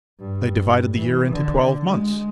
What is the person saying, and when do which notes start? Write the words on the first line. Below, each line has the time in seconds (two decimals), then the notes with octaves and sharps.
They divided the year into twelve months.
0.20 G2
0.97 E3
1.32 D3
1.87 G#3